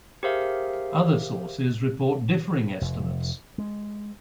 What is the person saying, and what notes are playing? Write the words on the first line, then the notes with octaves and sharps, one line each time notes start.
Other sources report differing estimates.
G4 G#4 A#4 C5 E5 F5
F1
G#3